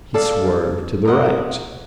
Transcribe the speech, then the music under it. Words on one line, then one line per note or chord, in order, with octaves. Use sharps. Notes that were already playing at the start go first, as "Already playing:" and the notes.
He swerved to the right.
A4 D5 F5
A#4 D#5 F#5